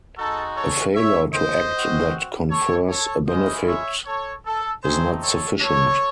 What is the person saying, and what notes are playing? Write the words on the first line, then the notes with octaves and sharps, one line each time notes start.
A failure to act that confers a benefit is not sufficient.
G#3 D#4 F#4 A4
A4 C#5
C#5 E5
C5 D#5
C4 F#4
A4 C#5
A4 C#5
G#3 C#4 E4 C5 D#5
C#5 E5
A4 C#5
A4
A3 C4 D#4 G#4 C5
A4 C#5
A4 C#5